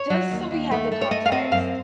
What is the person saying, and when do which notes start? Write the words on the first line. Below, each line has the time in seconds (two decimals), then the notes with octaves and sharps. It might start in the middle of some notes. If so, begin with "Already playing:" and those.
just so we have the context,
Already playing: C#5
0.10 F#3
0.31 D#2
0.51 D#2
0.71 A3
0.92 A3
1.01 C#5
1.11 A3 D#5
1.26 F5
1.32 C4 D#5
1.51 F#2 F5